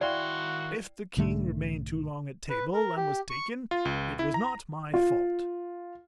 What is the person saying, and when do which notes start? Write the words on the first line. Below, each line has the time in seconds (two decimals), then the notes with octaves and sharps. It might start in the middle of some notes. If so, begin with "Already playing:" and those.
If the King remained too long at table, and was taken, it was not my fault.
0.01 D#3 E4 F#4 D5 F5 G5 C6
1.17 B1 G#2 D3 A3
2.50 B4
2.74 A#4
2.97 G4
3.30 C#6
3.71 F4
3.85 C#2
4.19 E4
4.34 A#5
4.94 F4